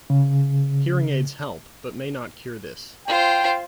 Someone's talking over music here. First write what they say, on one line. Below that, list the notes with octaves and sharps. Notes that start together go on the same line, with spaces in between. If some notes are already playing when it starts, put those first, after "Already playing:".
Hearing aids help, but may not cure this.
C#3
F4 C5 G5